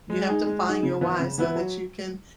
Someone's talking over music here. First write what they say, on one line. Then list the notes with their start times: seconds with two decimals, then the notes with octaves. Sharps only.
You have to find your "why" so that you can
0.10 G#3
0.28 D#4 G#4
0.47 G#3
0.65 D#4 G#4
0.83 C#3
1.01 E3 B3 E4
1.19 C#3
1.38 E3 B3 E4
1.56 F#3